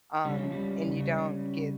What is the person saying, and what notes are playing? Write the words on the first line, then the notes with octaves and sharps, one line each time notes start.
um, and you don't get
C#2 C#3 G3
F3
G3
C#2 C#3